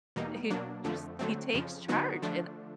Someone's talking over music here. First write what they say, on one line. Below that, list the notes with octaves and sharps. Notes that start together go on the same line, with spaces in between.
he just he takes charge, and
E2 B2 G3 A#3 D#4
B2 F#3 A#3 D4
F2 D3 F3 A3
D3 F#3 A3 C4
F2 C#3 F3
D3 F#3 B3 D#4 F#4
D3 F3 A3 D4